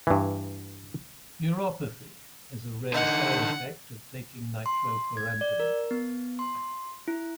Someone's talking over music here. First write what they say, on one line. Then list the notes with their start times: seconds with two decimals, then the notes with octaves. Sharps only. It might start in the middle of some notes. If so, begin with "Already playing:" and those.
Neuropathy is a rare side effect of taking nitrofurantoin.
0.07 G2 E3
2.93 D3 D#4 F#5
4.66 C6
5.17 G#6
5.41 D5
5.60 A#4
5.91 B3
6.39 C6
7.08 E4